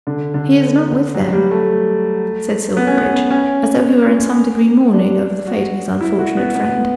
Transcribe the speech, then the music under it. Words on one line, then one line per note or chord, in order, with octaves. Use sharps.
"He is not with them," said Silverbridge, as though he were in some degree mourning over the fate of his unfortunate friend.
D3
D3
F#3
G3
A3
B3
C#4
B3
C#4
D4
F#4
E4
F#4
B3
B3